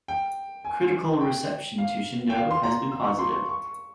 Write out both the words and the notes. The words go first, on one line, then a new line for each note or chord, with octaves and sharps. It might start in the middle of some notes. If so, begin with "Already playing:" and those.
Critical reception to Shindo has been positive.
G5
G#5
G5
F5
G5
F5
C6
A#5
E6
C#6
C6
C#6
C#6